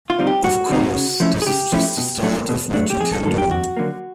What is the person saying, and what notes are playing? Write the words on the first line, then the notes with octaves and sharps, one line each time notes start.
Of course, this is just the start of what you can do.
F4
D3 G3 C4 D#4
G4
G2 F#4
D3 G3 C4 D#4
C#3
F3 A3 C#4 E4
G#4
C#3 G4
F3 A3 C#4 E4
B2
F#3 A3 D4
B2
F#3 A3 D4
G4
F2 G#4
A4
D3 F#3 A#3 A4
G4
F2 F#4
D3 F#3 A#3